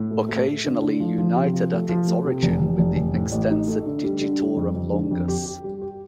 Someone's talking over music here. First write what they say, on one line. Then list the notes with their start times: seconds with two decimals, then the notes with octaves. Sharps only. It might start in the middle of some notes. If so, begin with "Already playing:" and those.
Occasionally united at its origin with the Extensor digitorum longus.
Already playing: A2
0.11 A3
0.29 A3
0.46 A3
0.64 D3
0.82 D3
1.00 F3
1.18 F3
1.36 C3
1.54 F3
1.71 A3
1.89 F3
2.07 A3
2.24 C3
2.43 F1
2.61 F1
2.79 F1
2.96 F1
3.14 A2
3.32 A1
3.50 D#4
3.68 A3
3.86 D3
4.04 G3
4.21 D3
4.39 G3
4.56 F2
4.75 F2
4.93 D3
5.11 F2
5.28 G4
5.46 G4
5.64 G3
5.82 G4